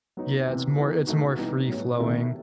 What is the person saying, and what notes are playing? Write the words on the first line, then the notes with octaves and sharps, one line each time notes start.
Yeah, it's more it's more free-flowing,
F#3 B3 D#4
C3 E3 B3
E3 B3 D#4
B2 A3 D#4 F#4
E3 G3 B3 D#4
A2 F#3 B3
C3 D#3 A3 E4